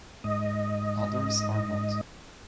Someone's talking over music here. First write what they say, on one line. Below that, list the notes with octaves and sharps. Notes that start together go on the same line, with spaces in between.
Others are not.
G#2 D#5